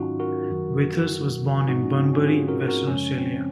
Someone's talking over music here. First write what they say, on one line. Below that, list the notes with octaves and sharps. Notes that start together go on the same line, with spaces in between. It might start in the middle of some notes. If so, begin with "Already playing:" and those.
Withers was born in Bunbury, Western Australia.
Already playing: G#2 D#3 F#3 C#4 D#4 F4 F#4
F#4 A#4
F#2 D#3 F#3
G#2 F3 G#3 D#4 F#4
C#4
C4
C#4
F4 G#4
F#4 A#4
F#4 A#4
F#2 C#3 F3 G#3 C#4
C4